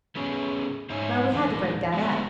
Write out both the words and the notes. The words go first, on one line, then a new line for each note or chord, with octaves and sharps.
Well, we had to break that up.
A3 B3 C#4 G#4
G#2 D#4 C5 C#5 E5 G#5
E2 A#2 D#3 G#3 A#3
F#3 G#3 A3 B3 D4 F#4